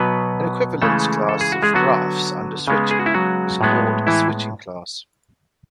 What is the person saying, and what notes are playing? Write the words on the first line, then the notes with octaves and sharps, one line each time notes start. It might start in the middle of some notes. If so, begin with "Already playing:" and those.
An equivalence class of graphs under switching is called a switching class.
Already playing: B2 F#3 B3 B4
C#3 E3 G#3 A3 A4
A4
G#4
F#4
G#3 G#4
D3 F#3 B3 F#4
C#3 G#3 B3
G#4
F#4
E4
F#3 F#4
A2 G#3 B3
E3 E4